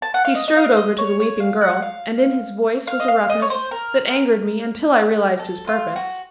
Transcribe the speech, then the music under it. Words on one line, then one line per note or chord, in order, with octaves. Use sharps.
He strode over to the weeping girl, and in his voice was a roughness that angered me until I realized his purpose.
A5
F#5
F5
D#5
D#5
F5
D#5
C#5
C#5
F5
F#5
F5
F5
D#5
F5
D#5
C#5
C5
A#4
A4
F4
F#4